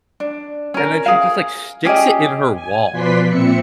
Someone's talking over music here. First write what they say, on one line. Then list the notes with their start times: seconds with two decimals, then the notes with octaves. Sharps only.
and then she just, like, sticks it in her wall.
0.20 D4
0.74 C#4 A#4
1.06 G#4 F5
1.85 C#4 G4 G#4 D#5
2.53 G#5
2.92 B2 F3 B4 D5 C6 B6
3.28 A#2 C4 E5 C#7